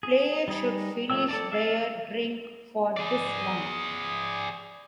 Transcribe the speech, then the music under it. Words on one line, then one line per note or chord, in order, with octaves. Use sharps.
Player should finish their drink for this one.
G#4
G3 D#4 G#4
F3 A3 C#5 G5 E6
A4 D5 A5
E5 F5 G#5 A5
G#4 D5